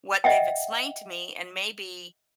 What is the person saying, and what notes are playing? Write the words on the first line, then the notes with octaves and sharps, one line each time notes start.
what they've explained to me, and maybe,
D#5 E5 F#5 G5